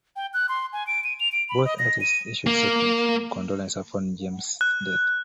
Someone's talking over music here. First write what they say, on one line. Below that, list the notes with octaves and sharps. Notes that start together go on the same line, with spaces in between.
Both artists issued statements of condolence upon James's death.
G5
F#6
C6
G#5
D7
D#7
F7
D7
B5
D#5
A#6
D#7
A#3
F#6